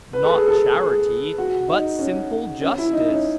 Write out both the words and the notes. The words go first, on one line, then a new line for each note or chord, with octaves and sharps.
Not charity, but simple justice.
B4
A4
G#4
A4
G#4
F#4
D#4
C#4
C#4
E4
D#4
C#4